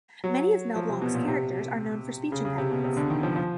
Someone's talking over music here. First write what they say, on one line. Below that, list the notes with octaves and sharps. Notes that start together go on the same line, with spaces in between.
Many of Mel Blanc's characters are known for speech impediments.
F#3
F3
C3
B2
A#2
C3
C#3
C#3
C3
B2
C3
D3
D#3
F3
F3